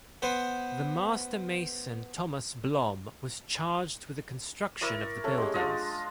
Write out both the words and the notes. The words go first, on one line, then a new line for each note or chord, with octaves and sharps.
The master mason Thomas Blom was charged with the construction of the buildings.
B3 B4 C5
E4 A#4 D5 C#6
A3 C#4
G#3 G4
G#3 D4 F4 D#5